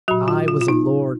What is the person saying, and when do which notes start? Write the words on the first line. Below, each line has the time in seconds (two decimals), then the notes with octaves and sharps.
I was a lord.
0.08 F#3 F#4
0.11 A#2
0.28 F4
0.48 F4
0.61 F4
0.68 D#4